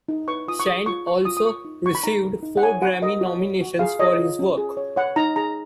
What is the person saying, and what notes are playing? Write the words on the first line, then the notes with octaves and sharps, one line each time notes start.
Shand also received four Grammy nominations for his work.
D#4
B4 C#6
F4 D#6
C#6
G#4 D#6
F4 C#6
B4 C#6
F4 D#6
D#6
A#4 C#6
D#4
F#4 C#6
B5
D#4 A#5
A#4
D#4
F#5
C#5 G#5
F#4 F#5
A#4 D#5
F#4
C#5
F#4
G#4 F5
C#5 D#5
F4
C#4
G#4
C#5
C#5 F#5
D#4 A#5
G#4 A#5